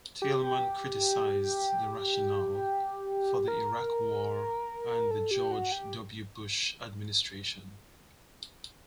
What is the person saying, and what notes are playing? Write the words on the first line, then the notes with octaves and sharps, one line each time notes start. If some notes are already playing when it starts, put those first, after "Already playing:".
Thielmann criticized the rationale for the Iraq War and the George W. Bush Administration.
G4
A#4
A4
G4
F#4
G4